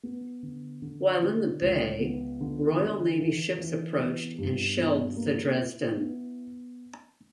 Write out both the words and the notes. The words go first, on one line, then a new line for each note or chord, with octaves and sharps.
While in the bay, Royal Navy ships approached and shelled the "Dresden".
B3
D3
D3
D3
C#2
B3
D3
D3
E3
E3
B3
G2
B2
A#3
E4
B3